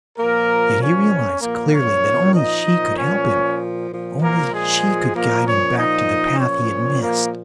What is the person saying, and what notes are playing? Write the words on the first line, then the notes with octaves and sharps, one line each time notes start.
Yet he realized clearly that only she could help him, only she could guide him back to the path he had missed.
A#2 F3 A#3 A#4
C#4 C#5
A#2 F3 A#3 A#4
C#4 C#5
D#4 D#5
A#2 F3
C#4 C#5
A#2 F3
A#3 A#4
G#3 G#4
A#2 F3 A#3 A#4
C#4 C#5
D#4 D#5
A#2 F3 C#4 C#5
A#3 A#4